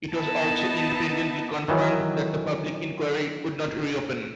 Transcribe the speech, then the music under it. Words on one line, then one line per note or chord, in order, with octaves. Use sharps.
It was also independently confirmed that the public inquiry would not reopen.
B3 D#4 E4 A5
D#3 E3 F#3